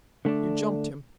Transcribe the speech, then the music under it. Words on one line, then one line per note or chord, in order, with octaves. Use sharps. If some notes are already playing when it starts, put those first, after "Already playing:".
You jumped him.
D3 A3 D4